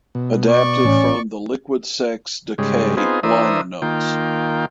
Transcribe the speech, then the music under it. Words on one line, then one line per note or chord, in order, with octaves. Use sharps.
Adapted from the "Liquid Sex Decay" liner notes.
B2
D5 C#6
A1 C#4
G#2 C#3 G3 G#3
B3 C4 D#4 F4 G#4
E3 D4 A#4 C5 E5 D#6
D#3 A#3 F4 G5